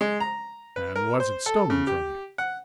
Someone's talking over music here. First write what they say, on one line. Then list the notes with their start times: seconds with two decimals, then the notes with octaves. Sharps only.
"And was it stolen from you?"
0.01 G#3
0.20 A#5
0.76 B4
0.96 A#4
1.20 C5
1.46 A4
1.70 C#3
1.87 G4
2.38 F#5